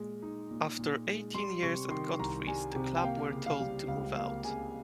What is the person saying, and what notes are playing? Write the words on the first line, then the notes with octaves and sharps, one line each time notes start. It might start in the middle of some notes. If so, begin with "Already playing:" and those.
After eighteen years at Godfrey's, the club were told to move out.
Already playing: A#2 G#3
D#4
A#2
A#2
G#3
G3 C6
C3 C#6
D#3 C6
C2 A#5
G3 G#5
C3
G5
A#3 F5
C#3
F5
G3
C#2 F5
A#3 F5
C#3 G#5